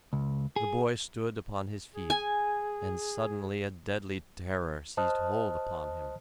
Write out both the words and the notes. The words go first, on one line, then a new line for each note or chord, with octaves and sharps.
The boy stood upon his feet--and suddenly a deadly terror seized hold upon him.
C#2
G#4
G#4
G#5
C5 D#5 A5 D#6 F6 F#6